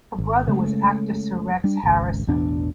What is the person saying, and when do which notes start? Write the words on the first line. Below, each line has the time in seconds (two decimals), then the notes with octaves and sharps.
Her brother was actor Sir Rex Harrison.
0.18 G#1
0.47 C#3 G#3 A3
1.64 G3 D4
1.83 G#1 C#2
2.27 A1 E2 B2 D4